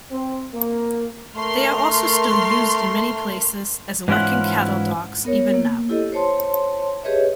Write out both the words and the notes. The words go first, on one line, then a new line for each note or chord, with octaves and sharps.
They are also still used in many places as working cattle dogs even now.
C4
A#3
A3 A#4 C6 F6
G#2 E3 C#4 E4 F4 F#5
B3 A#4 C#5
A#3
E4 G4 A4 D#5
C5 C#5 A5 C6
G4 G#4 B4 C#5 D#5 E5